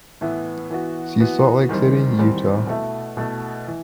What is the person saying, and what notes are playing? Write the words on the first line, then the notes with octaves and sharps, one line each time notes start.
See Salt Lake City, Utah.
A2 E3 B3 E4
E3 B3 F#4
E3 B3 F#4
E2 D#3 G3 C4
E2 D#3 G3 C4
B2 A3 E4
B2 A3 E4
E3